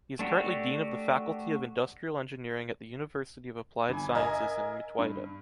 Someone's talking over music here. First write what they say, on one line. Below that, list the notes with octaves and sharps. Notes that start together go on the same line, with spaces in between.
He is currently Dean of the Faculty of Industrial Engineering at the University of Applied Sciences in Mittweida.
A3 D4 F#4 G4
G1 G#5
A#4 D#5 E5 G#5
G2